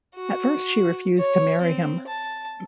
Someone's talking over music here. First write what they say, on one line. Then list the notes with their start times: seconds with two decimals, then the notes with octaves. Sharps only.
At first she refused to marry him.
0.16 F#4
1.18 C#5
1.62 C4
2.07 A5